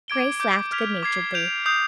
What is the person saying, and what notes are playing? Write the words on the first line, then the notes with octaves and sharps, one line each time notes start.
Grace laughed good-naturedly.
D6 G#6 D7 G7
D6 G6 D7
D6 F6 G#6 B6 F7
D6 G#6 C7
G6 D7 F7
D#6 G6 C7 F7